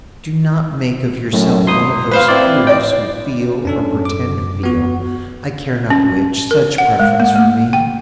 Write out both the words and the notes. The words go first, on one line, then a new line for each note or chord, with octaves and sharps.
Do not make of yourself one of those fools who feel, or pretend to feel, I care not which, such preference for me.
F#2 A2
G#1 C6 D#6
B4 C5 F5
C4 E4 D5
D5 D#5 G5
F#2 C#4 D4 A4
D6
B3 F#4
C#4
A#4
F#5
G#3
A#3
A3
G5